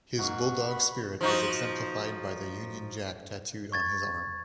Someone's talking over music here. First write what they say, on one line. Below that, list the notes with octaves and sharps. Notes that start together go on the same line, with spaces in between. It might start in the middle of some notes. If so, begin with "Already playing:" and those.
His bulldog spirit was exemplified by the Union Jack tattooed on his arm.
G#2 A#3 F#5 C#6
B5
F3 D#4 F#4
C#6 G#6 A6